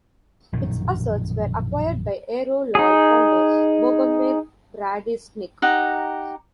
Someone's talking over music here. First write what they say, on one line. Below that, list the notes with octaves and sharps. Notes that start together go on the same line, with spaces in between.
Its assets were acquired by Aero Lloyd founder, Bogomir Gradisnik.
A#1 F#2 B2 D#3
D#4 G#4
D#4 G4 F#5 A#5